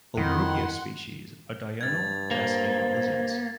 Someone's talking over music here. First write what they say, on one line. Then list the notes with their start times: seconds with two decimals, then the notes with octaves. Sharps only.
"Holbrookia" species are diurnal, basking lizards.
0.17 F2 D#3 E4 F#5 C6
1.81 G2 G#6 A6
2.31 A#3 C5